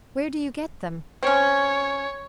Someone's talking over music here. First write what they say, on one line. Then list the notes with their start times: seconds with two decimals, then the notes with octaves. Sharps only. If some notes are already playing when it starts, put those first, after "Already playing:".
"Where do you get them?"
1.23 C4 C#4 C#5